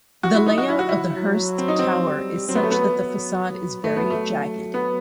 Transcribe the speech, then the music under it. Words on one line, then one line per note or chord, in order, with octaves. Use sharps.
The layout of the Hearst Tower is such that the facade is very jagged.
F#3 F#4
E4
D#4
F#4
E4
F#4
E4
F#3
C4
D#4
C4
G3
F#3 C4
B3
A3
B3
F#3
F#3 A3
B3
A3
B3